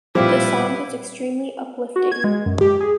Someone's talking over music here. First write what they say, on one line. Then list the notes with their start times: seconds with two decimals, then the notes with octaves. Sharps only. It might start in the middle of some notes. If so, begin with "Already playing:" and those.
The song is extremely uplifting.
0.15 A#2 F3 G3 C4 E4 B4 F5 D6
1.96 F#4
2.12 G#6
2.24 G#3
2.46 F#2
2.61 G4
2.80 G#4